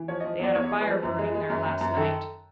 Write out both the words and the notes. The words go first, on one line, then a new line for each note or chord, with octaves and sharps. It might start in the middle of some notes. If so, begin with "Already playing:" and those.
"They had a fire burning there last night."
Already playing: E3
F3 C#5
F3 D#5
E2 D5
E2 C#5
G#3
B4
F3
F#2
G#3
G#3
F#2
F#2
F#2
D#3 A4